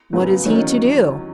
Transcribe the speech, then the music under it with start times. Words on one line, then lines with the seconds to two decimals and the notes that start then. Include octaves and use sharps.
What is he to do?
0.13 C#3 F#3 B3
0.45 E2 D#3 F#3 C#4